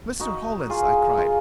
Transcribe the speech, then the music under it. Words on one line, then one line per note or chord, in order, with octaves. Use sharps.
"Mr. Hollins!" I cried.
D#4 F#4
F4 G#4
F4 G#4